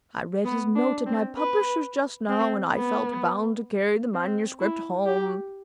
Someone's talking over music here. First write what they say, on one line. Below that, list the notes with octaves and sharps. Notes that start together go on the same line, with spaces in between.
I read his note at my publisher's just now, and I felt bound to carry the manuscript home.
B3
D4
C4
B4
C4
B3
C4
E4
G4